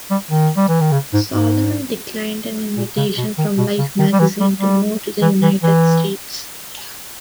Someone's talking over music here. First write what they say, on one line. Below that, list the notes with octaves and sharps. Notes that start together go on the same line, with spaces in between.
Salomon declined an invitation from "Life Magazine" to move to the United States.
G3
D#3
G3
E3
D#3
C#3
G#2
G#2
A#2
C#3
B2
D#3
B2
C#3
D#3
G3
E3
G3
G3
E3
E3
E3